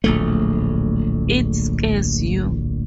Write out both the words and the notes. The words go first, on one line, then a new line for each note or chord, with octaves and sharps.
It scars you.
D1 A#1 A3